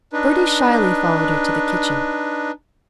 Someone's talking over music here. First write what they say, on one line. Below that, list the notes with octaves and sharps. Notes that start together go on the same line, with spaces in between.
Bertie shyly followed her to the kitchen.
D4 D#4 B4